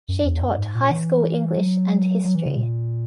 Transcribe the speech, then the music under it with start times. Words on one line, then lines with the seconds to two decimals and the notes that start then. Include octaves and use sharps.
She taught high school English and History.
0.08 F#2
0.24 E2
0.41 F#2
0.58 G#2
0.75 A#2
0.91 E3
1.58 F#3
2.25 F#3
2.35 E3
2.46 C#3
2.57 A#2